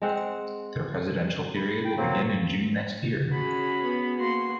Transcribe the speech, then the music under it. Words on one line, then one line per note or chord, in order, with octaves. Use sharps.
Their presidential period will begin in June next year.
G#3 C4 F#5
B5
G5
F#3 A#3 C4
C#4 F#4 G#4 B5
B3
A#3 F#4 C6